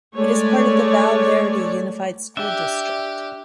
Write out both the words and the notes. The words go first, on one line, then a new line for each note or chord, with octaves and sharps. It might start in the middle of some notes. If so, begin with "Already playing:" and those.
It is part of the Val Verde Unified School District.
G#3 A3 C#5 D5
D4 G4 E5